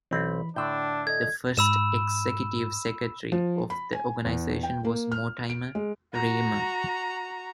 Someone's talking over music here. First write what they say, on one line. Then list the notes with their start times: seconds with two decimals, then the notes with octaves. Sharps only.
The first Executive Secretary of the organization was Mortimer Riemer.
0.11 B1 E3 C4 B5
0.56 A2 D3 D4 E6 G6
1.07 A4 D5 D#5 G#6
1.57 G#2 B5 E6 E7
3.32 F3
3.70 B5
3.93 G#5
4.25 E2
4.63 G5
4.85 A#3
5.12 F6
5.50 D7
5.75 G#3
6.13 F#4 A#5